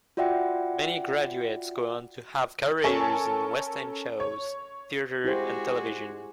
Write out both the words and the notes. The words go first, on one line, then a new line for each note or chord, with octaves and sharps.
Many graduates go on to have careers in West End shows, theatre and television.
F4 F#4 D5 E5 F#5 G5
C#4 A4 A#4 C#5 G#5 A5
C#5
G#3 E4 F#4 G4 C5